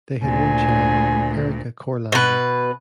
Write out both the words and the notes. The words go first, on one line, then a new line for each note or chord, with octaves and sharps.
They had one child, Erika Courlander.
D2 A#2 G#5
B2 B4